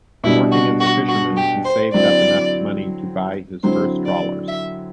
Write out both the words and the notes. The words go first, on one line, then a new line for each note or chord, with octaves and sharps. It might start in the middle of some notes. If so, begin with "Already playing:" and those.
Working as a fisherman, he saved up enough money to buy his first trawlers.
B2 G3 D4 E4
F#4
F#4
F#4
G4
C5
D3 F#3 C4 E4 D5
D3 F#3 C4 E4 C5
D5
E5